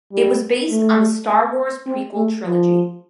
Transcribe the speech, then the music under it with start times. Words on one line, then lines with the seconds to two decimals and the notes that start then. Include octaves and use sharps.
It was based on the "Star Wars" prequel trilogy.
0.13 G3
0.71 A3
1.86 C4
2.16 A3
2.45 F3